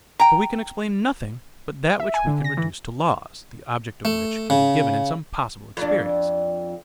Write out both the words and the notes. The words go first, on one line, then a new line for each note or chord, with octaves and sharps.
For we can explain nothing but that which we can reduce to laws, the object of which can be given in some possible experience.
G5 A#5
E5
G#5
D3
A#6
E3
A3
C#3
F2 D4